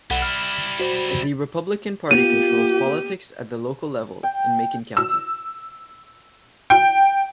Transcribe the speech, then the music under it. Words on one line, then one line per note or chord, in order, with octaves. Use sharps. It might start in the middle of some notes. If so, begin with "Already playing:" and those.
The Republican Party controls politics at the local level in Macon County.
B1 G3 E4 F#5
F6
F#4 C5
A#3 B3 F4 G4 D#7 F7
G5
E6
G5